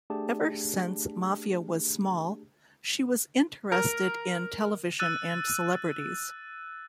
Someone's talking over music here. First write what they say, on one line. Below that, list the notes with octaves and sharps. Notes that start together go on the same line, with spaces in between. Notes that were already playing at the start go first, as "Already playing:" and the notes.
Ever since Maffia was small, she was interested in television, and celebrities.
A3 D4 G4 G#4 A5
A#4
E6 F#6 A6 D#7